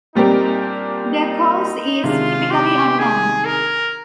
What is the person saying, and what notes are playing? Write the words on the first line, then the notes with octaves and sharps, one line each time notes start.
The cause is typically unknown.
A#2 G3 C4 D#4 G4 A#4
D4
D#4
C3 D#3 G#3 D4 F4
G4
G#4
A#4